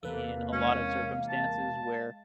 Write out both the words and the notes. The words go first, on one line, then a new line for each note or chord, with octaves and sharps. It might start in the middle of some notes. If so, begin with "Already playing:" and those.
in a lot of circumstances where,
E2 C3 A#3 A4 B4 F5
G#3 C#4
A5